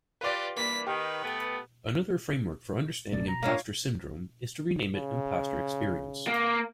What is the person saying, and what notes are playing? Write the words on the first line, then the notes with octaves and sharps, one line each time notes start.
Another framework for understanding impostor syndrome is to re-name it "impostor experience".
F4 G4 B4 D5
E3 G3 A#3 D4 B6
D#3 G4 B4
A3 B3
D1 B2 A3 D5
B2 A#5
A#3 C#4 D4 F4 C#5 F5
C#3
A#3